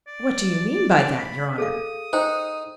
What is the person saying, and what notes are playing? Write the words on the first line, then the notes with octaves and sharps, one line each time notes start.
"What do you mean by that, your honour?"
D5
B5
G#4 A4 F5 D#6
D#4 C5 G5 A#5